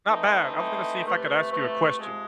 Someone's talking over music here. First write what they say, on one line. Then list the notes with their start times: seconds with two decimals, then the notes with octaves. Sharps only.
Not bad. I was gonna see if I could ask you a question.
0.07 E3 A3 C4 D#4
0.55 E3 A3 C4 D#4
1.02 C3 E3 A3
1.50 C3 E3 A3
1.97 C3 F3 G#3